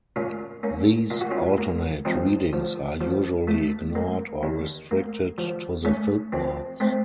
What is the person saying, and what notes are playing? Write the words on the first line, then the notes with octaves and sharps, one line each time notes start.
These alternate readings are usually ignored or restricted to the footnotes.
A#2 C#4 F4
A#3 C#4
A#2 F4
F#4
C#4 F4
A#3
F3 C4 D#4
F3
F3
A3
A#3
D#2
A#3
F3
A3 C#4
F2 C4
A3 C4